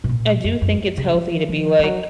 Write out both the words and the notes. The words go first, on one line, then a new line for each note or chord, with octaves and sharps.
I do think it's healthy to be like,
B2
A#2
F#2
F#2
C#3
F3
F3
F3
F#3